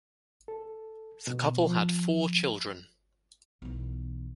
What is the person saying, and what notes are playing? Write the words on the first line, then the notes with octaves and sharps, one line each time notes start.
The couple had four children.
A4
B2
F3
B1 E3